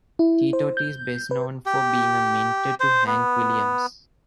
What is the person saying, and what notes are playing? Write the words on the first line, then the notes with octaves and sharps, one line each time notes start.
Tee Tot is best known for being a mentor to Hank Williams.
E4
C5
G6
B4
G4
C5
B3